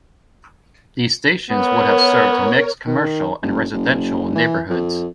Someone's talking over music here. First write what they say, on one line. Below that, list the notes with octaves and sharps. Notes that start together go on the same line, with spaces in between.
These stations would have served mixed commercial and residential neighbourhoods.
B3 A#4 C#5
D#3
F#1
F#1
E3
F2